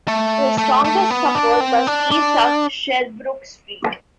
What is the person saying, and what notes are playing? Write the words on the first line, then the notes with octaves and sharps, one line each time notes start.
Their strongest support was east of Sherbrooke Street.
A3
A3
A3
B3
D4
C4
D4
D4